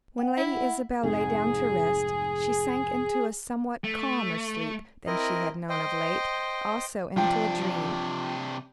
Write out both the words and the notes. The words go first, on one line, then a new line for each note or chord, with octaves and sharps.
When Lady Isabel lay down to rest, she sank into a somewhat calmer sleep than she had known of late; also into a dream.
F#5 G5
E4
F#5
F1 G#2 C4 G#4
A3
C4 E4 A#4 D#5
C5 D#5 G5
C3 F3 D4 G5